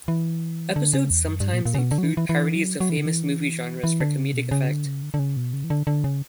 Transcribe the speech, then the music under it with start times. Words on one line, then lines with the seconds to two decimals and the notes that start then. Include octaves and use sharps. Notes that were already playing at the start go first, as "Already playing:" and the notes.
Episodes sometimes include parodies of famous movie genres for comedic effect.
0.08 E3
0.76 D3
0.93 C#3
1.10 E2
1.27 F#2
1.40 G2
1.54 A#2
1.66 A#2
1.75 C#3
1.78 B2
1.91 D3
1.98 F#3
2.04 E3
2.17 E3
2.29 E3
2.55 F#3
2.80 F#3
2.90 E3
2.98 D3
3.05 E3
3.84 E3
4.00 D3
4.17 C#3
4.34 B2
4.51 C#3
4.68 D3
4.85 C#3
5.03 D3
5.14 D3
5.19 C#3
5.37 B2
5.53 C#3
5.64 E3
5.70 D3
5.87 D3
6.04 C#3